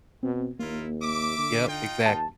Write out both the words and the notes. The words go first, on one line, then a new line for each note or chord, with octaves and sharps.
yep, exactly.
B2 C4
D#2 A#3 E4 F4 A#4
E5 D6
D3
D#4 F4 G5
D#2 A5